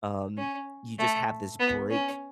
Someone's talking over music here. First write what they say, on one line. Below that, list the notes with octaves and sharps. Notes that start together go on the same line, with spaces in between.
um, you just have this break
C#4
A3
B3
C#4